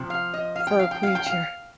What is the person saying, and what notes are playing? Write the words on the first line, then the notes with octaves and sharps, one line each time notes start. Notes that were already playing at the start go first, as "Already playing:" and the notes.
fur creature,
Already playing: C3 F3
F5
D#5
F5
G5
F5
G5
F5
G5
F5